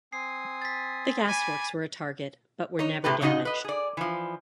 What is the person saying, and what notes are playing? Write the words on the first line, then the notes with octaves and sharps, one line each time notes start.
The gas works were a target, but were never damaged.
C4 G#5 D#6 C7
A6 B6
G#5 B5 D6
D#4 C#5
A2 C3 A3 G4 B4
A#2 C#3 D#4 F#4 D#5
B4 D#5
G#4 D5
E3 F3